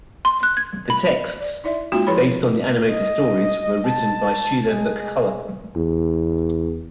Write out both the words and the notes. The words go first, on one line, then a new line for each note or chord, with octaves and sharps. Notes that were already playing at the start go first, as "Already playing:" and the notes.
The texts, based on the animated stories, were written by Sheila McCullagh.
C6
F#6
G#6
B5
D5
D#4 E4 D5 E5
G#3 A#3 C#4 D#4 F4 F#4
F3 E4 G#4 B4 C#5 B5
D#5
A5
G#3
E2